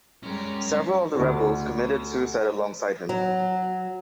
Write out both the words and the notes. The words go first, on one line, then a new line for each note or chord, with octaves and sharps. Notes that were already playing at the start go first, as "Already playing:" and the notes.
Several of the rebels committed suicide alongside him.
G3 G#3 C#4 A#4
D2 D3
F#3